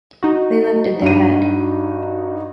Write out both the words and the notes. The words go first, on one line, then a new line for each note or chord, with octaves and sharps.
They lifted their head.
D#4 F#4
G2 D#7